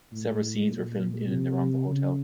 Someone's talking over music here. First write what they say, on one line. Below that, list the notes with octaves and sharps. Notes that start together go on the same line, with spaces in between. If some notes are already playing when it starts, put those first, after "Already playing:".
Several scenes were filmed in and around the hotel.
A2
A#2
C3
C#3